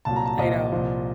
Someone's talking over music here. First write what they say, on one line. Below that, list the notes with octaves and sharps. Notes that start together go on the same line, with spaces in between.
I know.
C2 A#2 F#3 A5
A#5
A5
C2 A#2 F3 D#5
C2 A#2 F3